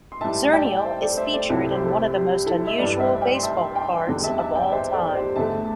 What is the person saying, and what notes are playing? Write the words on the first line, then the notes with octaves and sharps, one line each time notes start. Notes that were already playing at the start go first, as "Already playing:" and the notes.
Zernial is featured in one of the most unusual baseball cards of all time.
C6
A2 E3 G3 E5 A5
D5 G5
C5 E5
A4 D5
C5 E5
A4 D5
C2 C3 G3 E4 A4
G4 C5
A4
G4
G4
E4 A4
E5
G2 E3 G3 A4 D5
D5
C5 E5
D5 G5
C6
E5 A5
G5 C6
E2 D3 G3
E5 A5
E5 A5
D5 G5
C5 E5
A4 D5
D5
G4 C5
E2 D3 A3 E5 A5